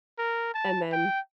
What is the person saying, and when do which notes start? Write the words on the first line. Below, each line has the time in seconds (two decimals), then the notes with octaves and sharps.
and then
0.18 A#4
0.54 A5
0.92 G5